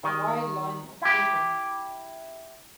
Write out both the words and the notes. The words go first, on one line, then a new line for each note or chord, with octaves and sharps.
A wide line of people.
D#3
E4 G4